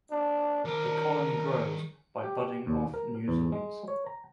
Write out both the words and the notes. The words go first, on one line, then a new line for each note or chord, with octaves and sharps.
The colony grows by budding off new zooids.
D4
D#3 A#4 D5
G4
D#2
A#4
E2
G#3
C#5
A#5